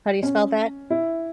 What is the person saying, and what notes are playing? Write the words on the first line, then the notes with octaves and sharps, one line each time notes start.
How do you spell that?
C#4
E4